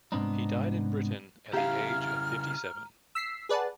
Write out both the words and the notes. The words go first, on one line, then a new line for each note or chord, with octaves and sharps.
He died in Britain at the age of fifty-seven.
C2 G#2 B3 C4 D4 D#4
C#3 C#4 E4 G4 F5 A#5 F6
E6 B6 C7
G#4 B4 D5 F#5 A5